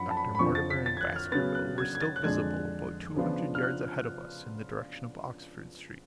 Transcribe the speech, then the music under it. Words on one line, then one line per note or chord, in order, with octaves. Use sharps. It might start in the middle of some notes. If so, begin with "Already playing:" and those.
Dr. Mortimer and Baskerville were still visible about two hundred yards ahead of us in the direction of Oxford Street.
Already playing: F#2 F3 F#5 B5
A5
B5
B5
F2 D3 F3 C#6
A6
B6
A6
G#6
F#6
F6
C#3 F#3 B3 A6
F#6
G#6
G#6
A6
F#6
F2 D3 G#3 D4 G#6
C#3 F3 B3 D4 F4
F6
F#6